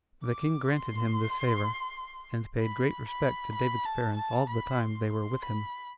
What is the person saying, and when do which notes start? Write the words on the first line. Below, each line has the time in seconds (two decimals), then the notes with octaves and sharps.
The king granted him this favor, and paid great respect to David's parents all the time they were with him.
0.24 D6
0.72 C6
2.60 B5
3.08 B5
3.54 B5
3.86 A5
4.17 A5
4.49 B5
4.80 C6
5.12 C6
5.43 B5